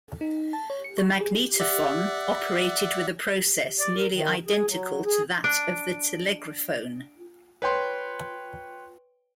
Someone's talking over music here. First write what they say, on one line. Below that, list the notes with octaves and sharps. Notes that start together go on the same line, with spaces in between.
The magnetophon operated with a process nearly identical to that of the telegraphone.
D#4
A5
C#5
C#7
C#6
G#4
D5 E5 F#5
D5
A#4
D#3
G#4
F#3
G#4
D4 D7
B4 C#5 G5 C6